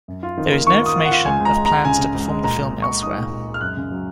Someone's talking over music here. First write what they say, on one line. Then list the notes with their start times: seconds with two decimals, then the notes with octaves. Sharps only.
There is no information of plans to perform the film elsewhere.
0.08 F#2
0.23 F4
0.38 D#3
0.52 A#3
0.67 D#3 C#6
0.81 F4 D#6
0.96 F4
1.05 F#5
1.11 F4
1.25 C#2 G#5
1.40 C#2
1.45 A#5
1.55 G#3
1.66 C#2 A#5
1.85 C#3 G#5
1.99 C#3
2.14 C#2
2.28 G#3
2.44 A#2 A#5
2.58 G#3
2.73 A#2
2.82 C#6
2.87 G#3
3.02 D#4 D#6
3.17 A#2
3.31 A#2
3.47 G#3
3.54 F6
3.61 F#2 F#6
3.77 C#3
3.92 F#3